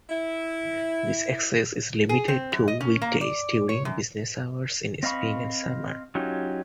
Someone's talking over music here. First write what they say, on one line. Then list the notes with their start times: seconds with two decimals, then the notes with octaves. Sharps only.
This access is limited to weekdays during business hours in spring and summer.
0.10 E4
2.09 G#4
2.28 C4
2.52 F#2
2.68 D#5
2.81 C#4
3.02 A#3
3.21 D5
3.69 C#5
3.85 F#2
5.03 C4 D#5 F5 B5 C#6
6.15 F#3 C#4 D#4 F4 G4